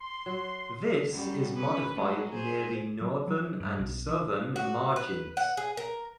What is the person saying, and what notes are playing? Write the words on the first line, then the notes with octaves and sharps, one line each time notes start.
This is modified near the northern and southern margins.
C6
F#3
F#2 G3
C#4 B4
F#3 G#3
G#4 C5
F#3
F#3
G2
B1
E3
F#4
B4
F#5
G#4
A#4